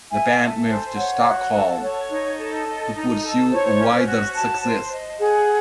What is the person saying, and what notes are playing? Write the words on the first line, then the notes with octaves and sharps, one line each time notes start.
The band moved to Stockholm to pursue wider success.
E5 G#5
A4
C5
C#5 F#5
F#4
A4
C#5
D#4
A4
D#5
D#4
A4
C5 C#5
C#4
F#4
A5
C5
D#5
G#4 F#5